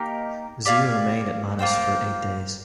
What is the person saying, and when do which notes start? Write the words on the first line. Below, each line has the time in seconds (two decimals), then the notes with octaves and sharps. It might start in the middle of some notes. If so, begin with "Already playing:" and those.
Zeal remained at Manus for eight days.
Already playing: A#3 D#4 G4 A#4
0.65 G4 D5 F5 G#5
1.59 A#3 F4 C5 G5